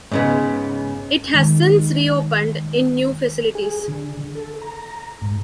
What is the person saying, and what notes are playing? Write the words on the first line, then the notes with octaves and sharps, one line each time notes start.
It has since reopened in new facilities.
G#2 C#3 B3
D#3 G#3
G#4
D3
A4
A#5
G#2